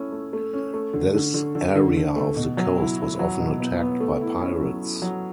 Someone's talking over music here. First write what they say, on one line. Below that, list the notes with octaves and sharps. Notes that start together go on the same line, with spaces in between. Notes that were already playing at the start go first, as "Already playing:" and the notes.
This area of the coast was often attacked by pirates.
Already playing: A3 C#4 E4
A3
A3
C#4
A3
D3
D3
D3
D3
D3
D3
A3
B2
F#3
E4
E4
F#3
B2
B3
B3
A3
E4
C#4
F#3
E4
F#3